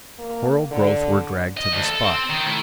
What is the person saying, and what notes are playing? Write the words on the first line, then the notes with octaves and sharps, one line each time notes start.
Coral growth were dragged to the spot.
A#3
D3
D#5
D2
A4
C4
D#3
A3 E4